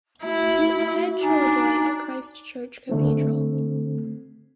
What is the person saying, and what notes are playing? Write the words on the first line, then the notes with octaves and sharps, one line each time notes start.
He was head choirboy at Christchurch Cathedral.
A3 E4 F#4
D4 D#4 G#5 A#5
D3 A3 C4